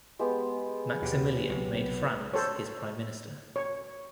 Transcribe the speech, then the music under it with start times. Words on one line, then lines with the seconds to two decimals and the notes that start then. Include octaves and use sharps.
Maximilian made Franz his prime minister.
0.19 G#3 B3 G4
1.02 D#2 B2 F#4 G4 C#5
1.49 B1 C3
2.34 A4 C5 C#5
3.56 C#5